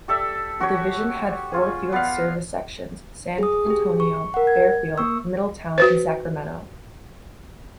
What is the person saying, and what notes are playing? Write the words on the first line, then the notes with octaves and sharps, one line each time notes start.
The division had four Field Service Sections: San Antonio, Fairfield, Middletown, and Sacramento.
G4 A4 D5 E5
F#4 G4 C#5
C#4 F4 G#4
B3 D5 F5
G#4 D#6
G4 G#4
C#6
A#4 F#5
G#6
A#3 C#6 E6
F#4 B4 C5